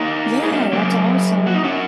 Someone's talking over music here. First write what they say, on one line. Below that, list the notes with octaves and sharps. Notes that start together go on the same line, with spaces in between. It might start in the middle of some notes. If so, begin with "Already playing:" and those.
Yeah, that's awesome.
Already playing: A#3 D#4
G#4
C#4 F#4
F#3 A#3
F#4
D#4
C#4 F#4